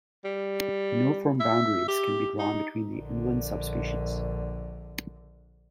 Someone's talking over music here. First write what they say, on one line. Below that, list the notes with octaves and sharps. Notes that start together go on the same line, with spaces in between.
No firm boundaries can be drawn between the inland subspecies.
G3
E5
G4
D#4
A#1 D3